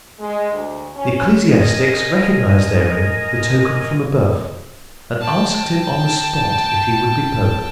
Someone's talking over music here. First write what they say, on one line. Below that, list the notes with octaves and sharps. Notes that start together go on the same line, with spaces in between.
The ecclesiastics recognized therein the token from above, and asked him on the spot if he would be pope.
G#3
D2
C#4
A#4 D#5 G#5
G5 A5